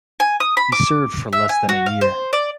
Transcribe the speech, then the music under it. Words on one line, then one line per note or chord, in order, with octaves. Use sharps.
He served for less than a year.
G#5
D#6
B5
D6
E5
G#5
F#4
F5
C5
D5